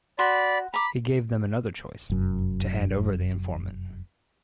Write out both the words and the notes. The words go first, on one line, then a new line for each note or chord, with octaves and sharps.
He gave them another choice: to hand over the informant.
F#4 D5 B5 C6
A#5 B5 D6
F1 F#2